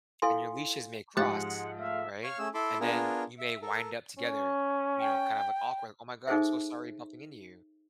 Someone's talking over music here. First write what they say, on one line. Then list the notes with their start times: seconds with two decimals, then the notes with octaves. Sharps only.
and your leashes may cross, right? And then you may wind up together, you know, kind of, like, awkward, "Oh my god. I'm so sorry bumping into you."
0.22 E4 A4 F5 G#5 C6
1.17 G#2 F3 G#3 G4 F#5 F#6 A6
1.78 A3 E5 F5
2.24 C#5 F5 C#6 F6
2.39 A3 C#4 G#4 E6
2.54 E4 A4 A5 B5 C6 D6
2.80 B3 D4 F4 G#4 A#4
3.39 E5
3.62 A4 A#4
4.19 C#4
4.99 G5
6.27 D#4 G#4 A4 C5 E5